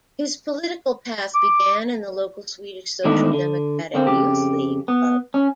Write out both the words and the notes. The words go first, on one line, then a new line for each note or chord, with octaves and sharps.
His political path began in the local Swedish Social Democratic Youth League club.
D6
E2 G#2 D#3 A3 D4 E4
D3
D3 A#3 C4
F2 C#3 G4
B3
C#4